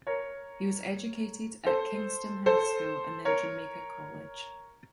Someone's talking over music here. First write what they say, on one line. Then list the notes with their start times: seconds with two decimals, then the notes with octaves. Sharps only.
He was educated at Kingston High School and then Jamaica College.
0.07 A#4 C#5
1.66 A4 C5
2.46 A4 C5
3.25 A#4 C#5